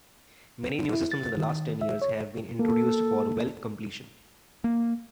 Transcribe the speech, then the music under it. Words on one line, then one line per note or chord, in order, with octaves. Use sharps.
Many new systems in the last ten years have been introduced for well completion.
E4
A6
D#3
E5
C#5
A#3 A4
A#3